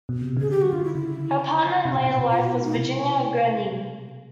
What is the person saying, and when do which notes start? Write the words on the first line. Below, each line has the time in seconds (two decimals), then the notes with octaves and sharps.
Her partner in later life was Virginia Gurnee.
0.09 B2
0.22 C3
0.37 C#3 G#4
0.50 D3 G4
0.62 F#4
0.72 D3 F4
0.84 E4
0.95 C#3 E4
1.85 C3
1.97 B2
2.07 A#2
2.19 B2
2.30 F4
2.42 F#4
2.53 E4
2.64 D#4
2.75 C3 E4